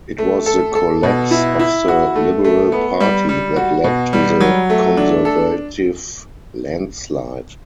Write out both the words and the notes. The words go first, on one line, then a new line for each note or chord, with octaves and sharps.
It was the collapse of the Liberal Party that led to the Conservative landslide.
A3
A4
A4
B2
E4
E4
F#4
A3
A3
B3
G3
G3
F#4
B2
G3
F#3
A3
D4
A4